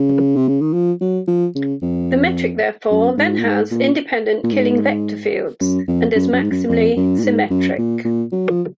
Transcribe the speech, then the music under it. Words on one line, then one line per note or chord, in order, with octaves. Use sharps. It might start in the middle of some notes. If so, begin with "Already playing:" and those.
The metric therefore then has independent Killing vector fields and is maximally symmetric.
Already playing: C#3
C3
C#3
D#3
F3
F#3
F3
C#3
F2
F#2
G#2
A#2
G#2
A#2
A#2
G#2
F#2
F2
F#2
F#2
G#2
F#2
F2
F#2
A#2
G#2
F#2
A#2
A#2
F#3
F3